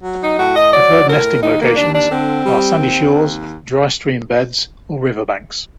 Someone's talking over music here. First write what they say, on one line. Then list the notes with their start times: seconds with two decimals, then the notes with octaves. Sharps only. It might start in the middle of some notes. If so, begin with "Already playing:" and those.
Preferred nesting locations are sandy shores, dry stream beds, or riverbanks.
0.04 F#3
0.21 D#4
0.38 A2 F#4
0.55 D#5
0.72 F#3 D5
1.07 A2 A#4
1.41 D#2 D#4
1.59 A#3
1.75 D#2 D4
1.93 D4
2.10 D3 C4
2.45 G3
2.79 D#2
3.13 D#2